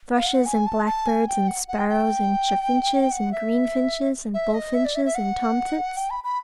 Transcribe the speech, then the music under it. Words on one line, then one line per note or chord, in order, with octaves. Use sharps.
Thrushes, and blackbirds, and sparrows, and chaffinches, and greenfinches, and bullfinches, and tomtits.
F5
F#5
G#5
A5
A5
G#5
G5
F#5
F#5
G5
G5
F#5
E5
E5
D#5
E5
D5
E5
E5
F#5
G5
B5
B5